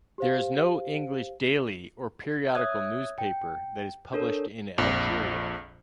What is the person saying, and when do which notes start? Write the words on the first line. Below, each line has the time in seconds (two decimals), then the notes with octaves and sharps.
There is no English daily or periodical newspaper that is published in Algeria.
0.18 G4 C5 F5
2.55 C#5 E5 D#6 F#6 G#6
3.18 G5
4.13 D4 A4 A#4 C#5
4.78 A#1 F2